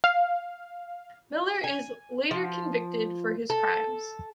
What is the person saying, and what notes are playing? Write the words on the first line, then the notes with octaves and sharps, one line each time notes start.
Miller is later convicted for his crimes.
F5
G#5
F3
A4